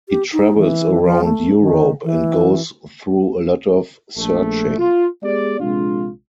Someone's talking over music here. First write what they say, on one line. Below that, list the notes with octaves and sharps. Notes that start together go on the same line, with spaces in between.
He travels around Europe and goes through a lot of searching.
G4
D#4
E3
F3
A3
D#3
E3
A#1 A3
F4
G#3 B3 G4 G#4 D5
A#1 C3 G#3 D4 F4